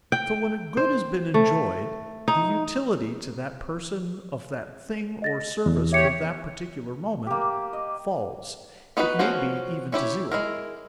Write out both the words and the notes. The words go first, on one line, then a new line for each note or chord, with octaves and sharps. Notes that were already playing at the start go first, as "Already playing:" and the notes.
So, when a good has been enjoyed, the utility to that person of that thing or service for that particular moment, falls, it may be even to zero.
G5
C5
A3
D#4
D#5 A6 A#6
E2
G4 C#5 E5 C#7
A#3 G4
D#5
B3 D#4 F#4 G#4 B4
F3 A#3 C#4 F#4 C5
C#4 E4 G4 C#5
G#3 E4 A#4